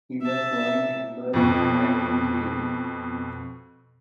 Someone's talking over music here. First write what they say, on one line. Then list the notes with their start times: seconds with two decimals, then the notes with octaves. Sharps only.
He was born in Hamburg and died in Kiel.
0.22 E5 A5
1.33 F2 B2